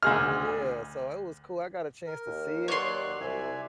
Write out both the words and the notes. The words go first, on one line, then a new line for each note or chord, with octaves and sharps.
yeah, so it was cool. I got a chance to see it,
D2 G#4 F6
A#4
D#2
F#3 C#5 D5 C6 F#6
C2 D5 E5 G#5